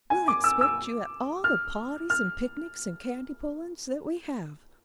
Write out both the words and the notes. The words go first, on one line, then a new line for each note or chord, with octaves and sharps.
We'll expect you at all the pahties and picnics and candy-pullin's that we have.
G#5
D6
E6
E6
F6
F6